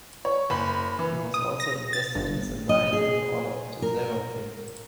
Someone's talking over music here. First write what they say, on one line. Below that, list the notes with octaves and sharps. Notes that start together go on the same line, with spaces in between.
He was also invested as a Knight in the Order of the Seraphim.
C#5
F#1 B5
E3
D#6
A#6
A6
G1
D#5
G#4
A#4